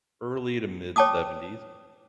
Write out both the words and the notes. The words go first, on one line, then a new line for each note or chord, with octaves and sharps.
early to mid-seventies,
C#5 G5 A5 D6 D#6